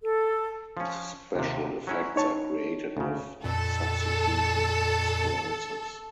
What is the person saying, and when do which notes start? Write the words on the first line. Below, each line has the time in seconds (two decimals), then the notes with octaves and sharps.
The special effects are created with substitution splices.
0.02 A4
0.77 F3 C#4
1.35 D#2 C3
1.87 F#3 C#4 E4
2.16 D#4 C#5 A5
2.97 D2 C#3
3.44 F2 A#2 A4